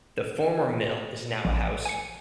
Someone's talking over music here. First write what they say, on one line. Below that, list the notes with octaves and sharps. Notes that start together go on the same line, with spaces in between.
The former mill is now a house.
A#1
G#5 C#7